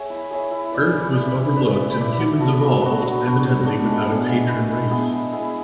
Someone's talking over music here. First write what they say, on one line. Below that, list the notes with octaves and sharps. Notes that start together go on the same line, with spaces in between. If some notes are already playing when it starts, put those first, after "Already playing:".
Earth was overlooked and humans evolved, evidently without a patron race.
Already playing: G#4 C#5 E5
E4
G#4 C#5 E5
E4
B4 D5
E4
B4 D5
E4
B4 D5
E4
B4 D5
F#3
B3 D4 F#4
F#3
B3 D4 F#4
F#3
B3 D4 F#4
F#3
B3 D4 F#4
G#3
B3 E4 G#4
G#3
B3 E4 G#4
G#3
B3 E4 G#4
G#3
B3 E4 G#4